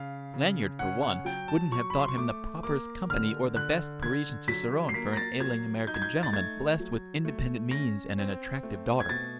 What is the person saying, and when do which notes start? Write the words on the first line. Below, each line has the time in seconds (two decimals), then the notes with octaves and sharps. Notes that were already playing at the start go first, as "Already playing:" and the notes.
Lanyard, for one, wouldn't have thought him the properest company or the best Parisian cicerone for an ailing American gentleman blessed with independent means and an attractive daughter.
Already playing: C#3 F5
0.34 C#3
0.79 C#4 F#5
1.03 F#5
1.25 F#3 G5
1.48 A5
1.72 F#3 C#6
1.90 B5
1.99 C6
2.08 C#6
2.18 A3 D6
2.63 A#3 D6
3.10 D3 F6
3.56 D3 F#6
4.03 D3 G#6
4.48 F#3 B6
4.89 C7
4.94 A#3 B6
5.13 A#6
5.17 A6
5.40 F#3 G#6
5.87 D#4 G6
5.94 G#6
6.02 G6
6.23 A6
6.33 A3 G#6
6.80 F#3
7.25 A3
7.71 C#4 A#6
8.18 C4
8.63 A3
9.00 G#6
9.09 B2 A6